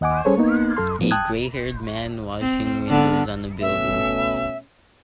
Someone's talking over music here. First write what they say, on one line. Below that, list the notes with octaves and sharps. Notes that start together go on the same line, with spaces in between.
A grayhaired man washing windows on a building.
D#2 D#5 F#5 G#5 D6
G3 C#4 G#4 A4 C5 C#5
A#3 B3 D#4
F#2 A4 C6
A2 F3 B3
G5 A5 D#6 F#6 G#6
C4
D3 B3 D4
B2 A3 C#4 E5